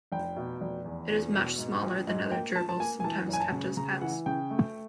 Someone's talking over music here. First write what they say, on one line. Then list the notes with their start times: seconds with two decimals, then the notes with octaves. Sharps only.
It is much smaller than other gerbils sometimes kept as pets.
0.12 F1 G5
0.36 B2
0.61 F1
0.85 E2
1.09 E2
1.34 B2
1.58 G#2
1.82 A#1
2.07 G#2
2.31 A#3 G5
2.56 F3 A5
2.69 A5
2.80 A#3 G#5
3.00 G#5
3.04 E3 A5
3.29 F#1 G#5
3.40 A5
3.52 C#3
3.77 C#3 A#5
4.01 E3 F#5
4.26 C#3 G5
4.50 A3